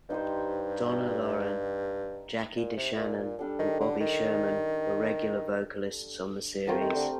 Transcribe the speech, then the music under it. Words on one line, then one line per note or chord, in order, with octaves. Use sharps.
Donna Loren, Jackie DeShannon and Bobby Sherman were regular vocalists on the series.
G2 D#4 G4 C5
A#2
C3
A2
A#2
A#2
G3 D4 A4 D5
D#3
D3
D#3
F3 A3 C4 G4 A#4
D#3
D3